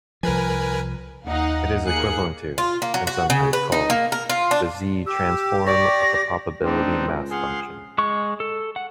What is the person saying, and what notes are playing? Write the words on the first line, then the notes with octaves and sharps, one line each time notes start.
It is equivalent to, and sometimes called, the z-transform of the probability mass function.
C2 F3 A#4 B4 G#5
D#2 D#4 F5 F#5
D#2 A#3 G#4 F#6 C#7
F4
A#3
F#3
F#4
C#3
B4
D#4
A#3
A#4
F4
D4
G4 E6
D5 C#6 A#6
D2 C4 D4 D#4
C#2
G#4 F5 F#5 C6
G#3 C#6
A4
F#5